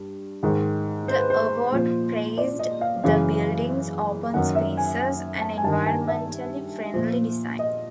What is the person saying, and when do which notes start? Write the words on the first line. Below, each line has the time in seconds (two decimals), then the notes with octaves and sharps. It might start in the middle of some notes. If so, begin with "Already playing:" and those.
The award praised the buildings open spaces and environmentally friendly design.
Already playing: G2
0.43 G#2 D#3
1.08 C5
1.19 B4
1.30 C5
1.72 A#2 F3
2.38 D5
2.59 D#5
2.81 F5
3.04 F#2 C#3 E3 F5
4.34 F#2 D#3 F#5
4.55 E5
4.77 G#5
4.99 G#5
5.41 A5
5.58 G#5
5.64 G2 D#3 A5
5.86 G#5
6.08 E5
6.94 A#2 F3
7.59 D#5